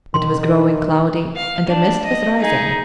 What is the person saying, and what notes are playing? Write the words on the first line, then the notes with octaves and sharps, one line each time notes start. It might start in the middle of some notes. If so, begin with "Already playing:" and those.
It was growing cloudy and a mist was rising.
B2 D#3 E3 F#3 C6
F5
D4
D#5
D#4 G#4